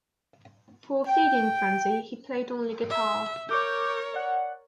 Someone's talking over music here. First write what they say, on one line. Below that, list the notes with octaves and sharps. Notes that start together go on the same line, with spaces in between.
For "Feeding Frenzy", he played only guitar.
G5
E5
A#4 C#5 C#6 D6 G6
D5 F#5